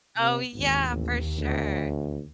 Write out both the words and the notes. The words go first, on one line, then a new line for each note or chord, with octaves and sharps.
Oh, yeah, for sure.
C3
G#1 D#2
A1
D2